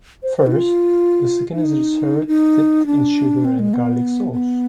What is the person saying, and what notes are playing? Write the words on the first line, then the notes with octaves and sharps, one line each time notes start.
First, the skin is served dipped in sugar and garlic sauce.
C5
C5
D#4
F4
D#4
D#4
D4
C4
G#3
B3
B3